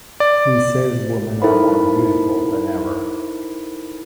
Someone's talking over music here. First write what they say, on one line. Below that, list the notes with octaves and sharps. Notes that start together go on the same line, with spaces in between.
He says women are more beautiful than ever.
D5
D#4 E4 A4 A#4 C5 B5